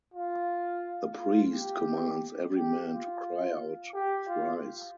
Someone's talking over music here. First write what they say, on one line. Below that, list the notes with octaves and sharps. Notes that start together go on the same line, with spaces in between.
The priest commands every man to cry out thrice.
F4
F4
G4
G4
F4
G4
F4